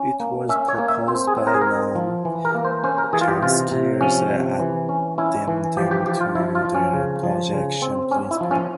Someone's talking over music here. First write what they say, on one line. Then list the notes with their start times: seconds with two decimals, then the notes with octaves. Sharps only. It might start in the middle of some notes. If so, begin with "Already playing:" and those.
It was proposed by Noam Chomsky as an addendum to the Projection Principle.
Already playing: C#4
0.20 A#3
0.49 C#4 E5
0.68 C#5
0.78 A#3
0.88 E5
1.08 C4 C5
1.27 G#4
1.37 C4
1.47 A#4
1.54 G#4
1.61 A#4
1.67 C4
1.95 F3
2.25 E3
2.45 A#4
2.55 A#3
2.65 C5
2.84 C#4 C5
2.98 A#4
3.13 E3 G#4
3.21 F4
3.28 G4
3.42 C3 F4
3.71 C3
4.01 F3 C#4
4.30 C3
4.60 E3
4.89 C#4
5.18 C#4 E4
5.48 E3
5.77 F3 G4
5.91 G4
6.06 F3 G4
6.21 F4
6.35 F3 E4
6.55 F4
6.65 F3
6.75 C#4
6.94 C#3
7.23 F3
7.53 C#3
7.82 C4
8.11 C#4
8.31 E4
8.41 F3
8.51 C#4